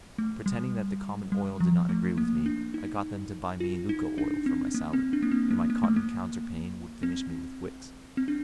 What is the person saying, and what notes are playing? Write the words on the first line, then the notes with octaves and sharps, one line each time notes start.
Pretending that the common oil did not agree with me, I got them to buy me Lucca oil for my salad, and my cotton counterpane would furnish me with wicks.
A3
G3
G3
F3
A3
A#3
D4
D#4
F4
D#4
D4
C4
A#3
C4
D4
A#3
C4
A#3
A#3
A3
A#3
C4
C4
D4